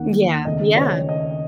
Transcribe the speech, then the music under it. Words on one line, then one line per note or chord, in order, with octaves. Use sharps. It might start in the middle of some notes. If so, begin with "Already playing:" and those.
Yeah, yeah.
Already playing: D#2 D#3 A#3 F#5
D#2 C#3 A3 C4 D#5
C#5
D#5